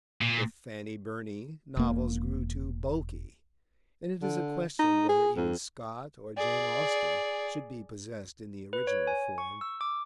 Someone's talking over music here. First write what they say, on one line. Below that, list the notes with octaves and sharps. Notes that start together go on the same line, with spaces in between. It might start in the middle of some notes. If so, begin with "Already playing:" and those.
With Fanny Burney, novels grow too bulky, and it is a question whether even Scott or Jane Austen should be possessed in the original form.
A#2
E1 A#3
D3
D#4
G#4
F2
G#4 D5
B4
C#5
G#5
C#6
E6
D6